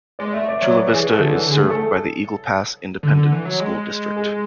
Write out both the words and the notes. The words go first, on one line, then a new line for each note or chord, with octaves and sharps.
Chula Vista is served by the Eagle Pass Independent School District.
G#3 D5
A3 E5
D5
F#3 C#5
B4
E3 G#4
A4
D3
E3 A4
D3 G#4
A3
A4
D3
D3
E3
F#3
G#3
G#4